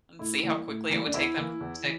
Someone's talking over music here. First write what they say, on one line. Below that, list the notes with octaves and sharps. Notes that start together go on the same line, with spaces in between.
and see how quickly it would take them to say
A2 E4
E3 G3 A#3
A2
E3 G3 A#3
D4
E2 E4
E3 A#3
E2
E3